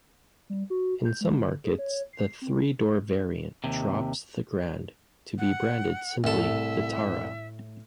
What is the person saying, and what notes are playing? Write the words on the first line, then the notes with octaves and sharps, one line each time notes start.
In some markets the three-door variant drops the "Grand" to be branded simply "Vitara".
G3
F#4
G6
G#3
D3
G#4
C#5
C7
C4
D#2 C3
F#5
C2 A2 A4 E5 E7